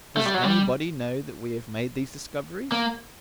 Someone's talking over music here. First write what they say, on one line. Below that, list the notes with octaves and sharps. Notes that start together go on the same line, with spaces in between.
"Does anybody know that we have made these discoveries?"
A3
G3
F#3
G3
A#3